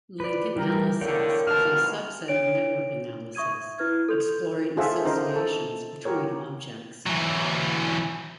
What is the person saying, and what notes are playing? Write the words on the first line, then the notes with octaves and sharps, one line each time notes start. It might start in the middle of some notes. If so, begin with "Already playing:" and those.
Link analysis is a subset of network analysis, exploring associations between objects.
B4 D5
E3 G3 G4 A#4
C#2 A2 D3 A#3 C#5 D5 G5
A1 G2 B2 F#4 F5 A5 F6
D4 C#5 D7
E5 C#6 D#6 G#6 D#7
E4 B4 F6 G#6
A4 C6 G6 F7
F4 G#4 A4 C5 E5 F#5
C#4 D#4 A#4 C5
A4
F#4 G4 A#4 C#5
E3 F#3